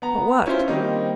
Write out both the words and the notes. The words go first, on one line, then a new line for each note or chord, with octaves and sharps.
But what?
B3 A#5
C#4 E4 F4 C5
D#3 G3 A#3 C4 D#4